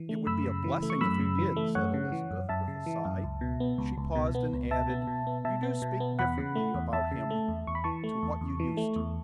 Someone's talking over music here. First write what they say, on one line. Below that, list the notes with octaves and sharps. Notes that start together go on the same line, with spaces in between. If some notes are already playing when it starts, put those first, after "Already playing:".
"It would be a blessing if he did," said Elizabeth with a sigh. She paused and added: "You do speak differently about him to what you used to."
Already playing: E3
A3
F#2 B5 E6
C#3
E3
A3
C#6
F#2 B5 E6
C#3
E3
A3
F#2 C#5 F#5
C#3
E3
F#2
F#2 E5 A5
C#3
E3
F#2
C#2
B2
B3
C#2
C#2
B2
B3
C#2
B2 E5 A5
B3
B2
B3
B2 E5 A5
B3
B2
B3
E2 F#5 B5
C#3
A3
E2
E2 E5 A5
C#3
A3
E2
E2 C#6
B5
E3 A5 C#6
A3
E2
E2
E3
A3
E2